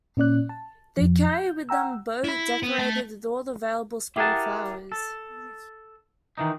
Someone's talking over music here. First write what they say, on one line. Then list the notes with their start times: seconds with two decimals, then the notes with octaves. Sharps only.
They carry with them a boat decorated with all the available spring flowers.
0.17 A#2 C#4 D5 F#6
0.49 A5
0.97 F2 F3
1.29 G6
1.69 F#5 G5 A#5 E6
2.24 E4 B5
2.63 B3
2.79 A3 A5
4.16 E4 G4 G#4 A#4 F#5 A5
4.92 A4
6.38 D#3 E3 D#4